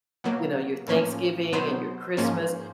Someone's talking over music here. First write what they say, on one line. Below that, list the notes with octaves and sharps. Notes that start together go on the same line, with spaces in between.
you know, your Thanksgiving and your Christmas,
B2 F#3 A#3
A2 F3 A#3 C#4
B2 F#3 B3 C5
G#2 F3 A#3 C#4